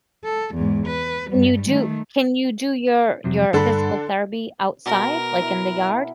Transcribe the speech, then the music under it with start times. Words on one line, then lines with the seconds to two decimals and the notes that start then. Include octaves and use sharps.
Can you do can you do your your physical therapy outside, like, in the yard?
0.24 A4
0.55 E2 G#2
0.87 B4
1.30 G2 G3
1.69 D#3 A3
3.24 F2 C3 F#3
3.53 G2 D3 D4 A4 B5
4.86 B2 A#4
5.41 E4